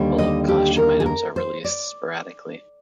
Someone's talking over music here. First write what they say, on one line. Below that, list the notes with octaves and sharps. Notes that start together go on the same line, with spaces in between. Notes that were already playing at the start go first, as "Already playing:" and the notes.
Pullip Costume items are released sporadically.
Already playing: D#2 D3 G3
D#5
G4
A#4
G#4
A#4
C5
D5